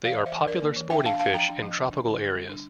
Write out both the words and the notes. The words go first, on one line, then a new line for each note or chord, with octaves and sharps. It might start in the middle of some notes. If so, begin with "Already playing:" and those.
They are popular sporting fish in tropical areas.
E3 D5 F5
E3
C5 E5
E3
D4 A#4 D5
A#3
E3
D4 E5 G5
D4 F5 A5
D4 F5 A5
F3 G5 A#5
D4
F3
D3
D4
D3
G3
G3
D4